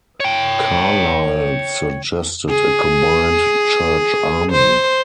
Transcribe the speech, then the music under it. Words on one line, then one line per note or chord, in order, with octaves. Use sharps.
Carlile suggested a combined "Church Army".
C#5 G5
G#4
C5